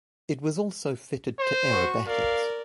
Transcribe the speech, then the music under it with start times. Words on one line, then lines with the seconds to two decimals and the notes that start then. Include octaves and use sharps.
It was also fitted to aerobatics.
1.40 C5
1.70 F#4 C#6
2.07 A#4 D5 F5